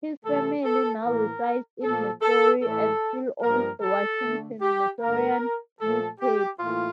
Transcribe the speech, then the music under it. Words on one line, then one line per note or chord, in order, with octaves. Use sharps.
His family now resides in Missouri and still owns the "Washington Missourian" newspaper.
C3 E3 A3 A4
A4
A2 E3 A#3 A#4
A#2 F3 A#3 A4
A4
A2 E3 A3 A4
G2 F3 A#3 A#4
A4
D3 A3
G4
G2 D3 A3 A#4
A#2 F3 A3 A4
G4
A2 E3 A#3 F4